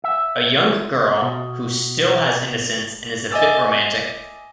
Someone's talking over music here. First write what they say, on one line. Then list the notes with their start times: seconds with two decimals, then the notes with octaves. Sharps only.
A young girl who still has innocence and is a bit romantic.
0.04 E5
1.22 B2
3.31 D#5 E5 G#5 D6 E6 A6